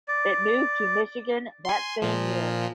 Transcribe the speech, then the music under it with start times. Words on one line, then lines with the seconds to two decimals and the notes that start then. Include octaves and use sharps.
It moved to Michigan that same year.
0.08 D5
1.65 G#5 C6
2.02 A#2 F3